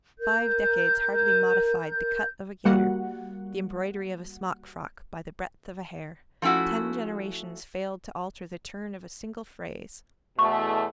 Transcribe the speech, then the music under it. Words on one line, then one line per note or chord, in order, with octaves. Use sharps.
Five decades hardly modified the cut of a gaiter, the embroidery of a smock-frock, by the breadth of a hair. Ten generations failed to alter the turn of a single phrase.
A#4 G6
G3 A#3 F#4 F#5
F3 A3 C#4 E4 F#4
E2 B2 A3 C#6